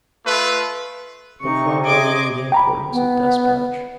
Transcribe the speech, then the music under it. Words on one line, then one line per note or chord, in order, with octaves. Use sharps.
But Cromwell knew the importance of despatch.
A3 F4 B4
C3 D#4 C#6
D#5 C6 D6 G#6
G5 A#5 B5
B3